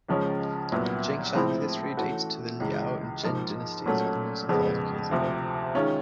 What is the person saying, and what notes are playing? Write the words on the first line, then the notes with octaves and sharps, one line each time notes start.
Jingshan's history dates to the Liao and Jin dynasties, almost a thousand years ago.
C#2 C#3 F3 G#3 C#4
C2 A#2 F#3 B3
A2 F3 G#3 C4 E4
E3 A3 C#4 F#4
C#2 C#3 E3
G#2 F3 A#3
A#2 F#3 A3 C#4
F2 C#3 F3 G#3 B3
D2 C3 F3
D#3 G#3 C#4 F4